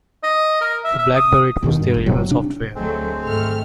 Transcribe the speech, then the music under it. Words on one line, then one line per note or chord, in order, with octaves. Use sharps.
For Blackberry it was their email software.
D#5
A#4
E5
E5
D#6
D#2 B2 D#3
G2
G1 D#2
G1 E2 C3 F#3
C3 D4
D2 F#3 G#3 A3 C4
G#1 A3 F6